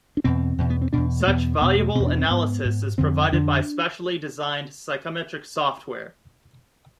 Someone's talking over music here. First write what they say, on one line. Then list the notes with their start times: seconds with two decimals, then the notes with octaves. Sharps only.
Such valuable analysis is provided by specially-designed psychometric software.
0.17 D4
0.24 E2 B2 C4
0.58 E2 B2
0.70 B3
0.82 C4
0.93 E2 B2 D4
1.20 A3
1.27 E2 B2 B3
1.61 E2 B2 B3
1.78 A3
1.95 B2 C4
2.00 E2
2.06 D4
2.18 C4
2.30 G#2 B3
2.65 G#2
2.98 F2 D3 C4
3.33 F2 D3 D4